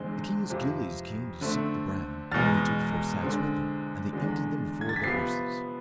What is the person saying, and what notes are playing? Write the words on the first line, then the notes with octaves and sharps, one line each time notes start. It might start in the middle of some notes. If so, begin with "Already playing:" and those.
The king's gillies came to seek the bran, and they took the four sacks with them, and they emptied them before the horses.
Already playing: E2 D3 G#3 C4
F2 C3 F3
D3 A3 C4
E2 B2 G#3 F6 A6
D3 G#3 C4
E2 D3 G#3
G#6
A6
B6
C3 F3 B3 A6 C7